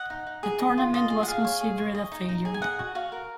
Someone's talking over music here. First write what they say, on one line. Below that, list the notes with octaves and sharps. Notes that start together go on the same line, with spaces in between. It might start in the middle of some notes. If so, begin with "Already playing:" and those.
The tournament was considered a failure.
Already playing: D#5 F#5
D#4
D#4
G#4
D#5
F4
F4 D#5
G#4
F#5
G#4 F5
C#5
G#4
C#5
D#5
D#4
D#4
G#4
G#5
D#5 F#5
F#4
F#4 F5
A#4